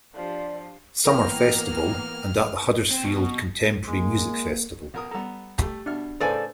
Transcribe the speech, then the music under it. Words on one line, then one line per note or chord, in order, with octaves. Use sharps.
Summer Festival and at the Huddersfield Contemporary Music Festival.
F3 D4 G4 C5 D5
E3 A#3 B3 A#4 G5 F6 A#6
C4
B2
G#3 A#3
B1 A#4 D#6
G3 B3 A4 A#5
A3 G4
B2 D4 E5 F6
A2 C#3 A4 B4 C5 D5 G#5